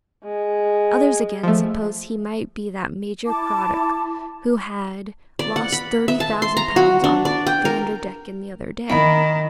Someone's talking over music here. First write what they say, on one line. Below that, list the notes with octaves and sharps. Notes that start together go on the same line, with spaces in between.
Others, again, supposed he might be that Major Craddock who had lost thirty thousand pounds on Vanderdecken the other day.
G#3
F3 A3
E4 A5 D6
D5
F#5
B5
E5
A5
C6
A#5
F#4
D4
D5
G5
A#4
D#3 E4 B5